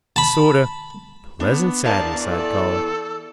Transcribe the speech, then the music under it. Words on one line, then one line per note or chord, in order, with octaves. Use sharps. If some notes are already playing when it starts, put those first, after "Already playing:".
A sort o' pleasant sadness I'd call it.
A5 B5
B3 D4
E2 E3 A#4 D5 F5 A5
A4